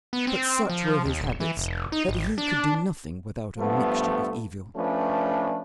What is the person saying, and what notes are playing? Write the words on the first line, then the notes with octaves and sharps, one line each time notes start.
But such were his habits that he could do nothing without a mixture of evil.
B3
C4
F3
D#2
D1
E3
F1
D#4
G#1
D4
G2 F3 A3 B3
F3 A3 C#4 D4 B4